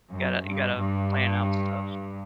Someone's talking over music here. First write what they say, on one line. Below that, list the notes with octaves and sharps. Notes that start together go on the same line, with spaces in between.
Gotta you gotta plan out stuff.
F#2
G2
G2